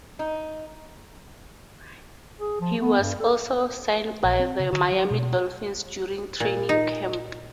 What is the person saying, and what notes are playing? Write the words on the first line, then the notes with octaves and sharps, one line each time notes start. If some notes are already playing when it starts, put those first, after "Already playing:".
He was also signed by the Miami Dolphins during training camp.
D#4
G#4
F3
B3
G2
A4
A#1
C4
C#3
D3
F#3
B2
A#2
D#4